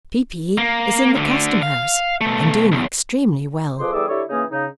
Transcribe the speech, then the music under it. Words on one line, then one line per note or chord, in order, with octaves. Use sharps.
Peepy is in the Custom House, and doing extremely well.
A#3
D2 D3
F5
B2 A3
B1 E2
F2 F3 G#4 B4 C6 D6
E2 G3 G#4 A4 E5 D6
D3 E4 G4 A4 C#5
C#3 E3 A#3 C#4 D#4 G#4
C#3 D#4